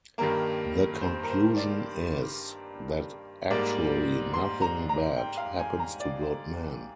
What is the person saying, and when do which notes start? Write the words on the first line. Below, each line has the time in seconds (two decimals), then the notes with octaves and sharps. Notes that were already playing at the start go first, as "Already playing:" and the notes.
The conclusion is that actually nothing bad happens to good men.
0.18 G2 D#3 G3 A#3 A#4
1.01 C5
1.23 A#4
1.30 C5
1.57 D5
3.50 G#2 G3 A#3 D5
4.34 C6
4.62 A#5
4.89 A#5
5.17 G5
5.37 F5
5.59 G#5
5.79 A#5
6.00 D5